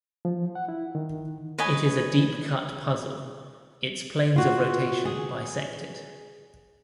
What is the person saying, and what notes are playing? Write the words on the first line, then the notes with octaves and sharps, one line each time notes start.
It is a "deep-cut" puzzle; its planes of rotation bisect it.
F3
F#5
E4
D#3
B4 C#5 D#5 G#5
F4 F#4
G#4